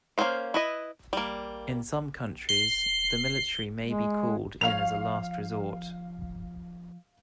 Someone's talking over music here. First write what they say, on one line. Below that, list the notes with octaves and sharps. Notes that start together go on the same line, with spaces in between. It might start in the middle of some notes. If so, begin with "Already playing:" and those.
In some countries, the military may be called in as a last resort.
A#3 C4 C#4 C5 F5
E4 B4 D#5
G3 A#3
C7 G7
G#3
F3 C#5 F5 F7